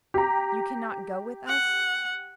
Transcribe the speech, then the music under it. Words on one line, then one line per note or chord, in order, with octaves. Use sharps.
"You cannot go with us!"
G4 A#5
F#5